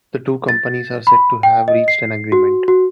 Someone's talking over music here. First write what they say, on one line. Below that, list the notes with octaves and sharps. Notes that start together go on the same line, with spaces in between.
The two companies are said to have reached an agreement.
A6
B5
G5
D#5
C7
F#4
F#4